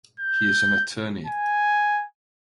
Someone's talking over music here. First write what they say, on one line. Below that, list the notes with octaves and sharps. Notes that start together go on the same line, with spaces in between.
He is an attorney.
G6
G#5